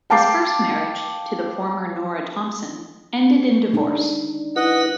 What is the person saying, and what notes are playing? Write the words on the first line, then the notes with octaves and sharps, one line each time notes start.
His first marriage, to the former Norah Thompson, ended in divorce.
F5 G5 A5 D6 A6 C7
G#3 D4 D#4
E4 B4 D#5 F#5